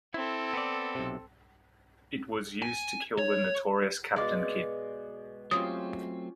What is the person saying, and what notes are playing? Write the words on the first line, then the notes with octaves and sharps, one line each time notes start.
It was used to kill the notorious Captain Kidd.
C4 E4 A4
B3 D5
B1 C3
G#5
C#5
B2 G#3 D5 F5
F#3 A3 C4 C#4 F4 G4 D#6